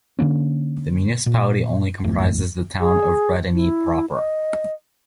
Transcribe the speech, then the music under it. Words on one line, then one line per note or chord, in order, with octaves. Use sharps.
The municipality only comprises the town of Bredene proper.
D3 D#3 A#3 C#4
A#2
D#1 A1 F2 A3
G#4
E4
D#5